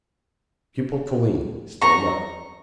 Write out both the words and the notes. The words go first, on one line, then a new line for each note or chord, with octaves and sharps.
"Pupil Toline, stand up."
A#5 C#6